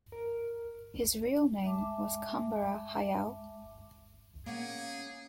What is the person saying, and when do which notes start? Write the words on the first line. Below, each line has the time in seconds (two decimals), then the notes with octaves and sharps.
His real name was Kambara Hayao.
0.12 A#4
1.63 G#3 E5 A5 D6
4.46 A#3 C#4 G#4 F#5